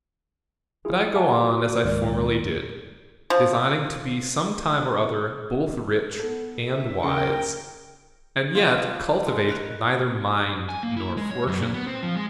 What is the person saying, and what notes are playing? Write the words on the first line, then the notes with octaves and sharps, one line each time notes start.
But I go on as I formerly did, designing to be some time or other both rich and wise; and yet cultivate neither mind nor fortune.
E4 F4 G#4
E5 F#5 G#5 A5
F#4
C#2 G#2 D#3 G#3 D5
F3
B3 A4
E5
C#3 A#4 G5 C#7
F4 C5 C#5 D#5
D5
G#3
A#4 B4 C#5
G#5
A#3
E4
G#3
C#5
F#2
A#2
B3
C4
F3
G#3